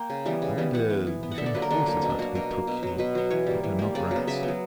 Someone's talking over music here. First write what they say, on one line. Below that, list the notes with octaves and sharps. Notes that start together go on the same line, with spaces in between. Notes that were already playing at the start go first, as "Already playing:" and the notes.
I wonder if any horses are to be procured that are not rats.
Already playing: A#3 G5 A#5
C#3
E3 G3 B3
C#3
E3 G3 B3
E3 F#5
B3
E3
B3
F#5
D3 E5
D5
F#3 A#3 B4
A#4
D3 D4
F#3 A#3
B2 C#4
D4
A#3 F#4
B2 A#4
A#3
B2
F#3 B3
B2 B4
F#3 B3
E3 C#5
G3 A#3
E3
G3 A#3
C#3 D5
F#3 B3
C#3 E5
B3
F#3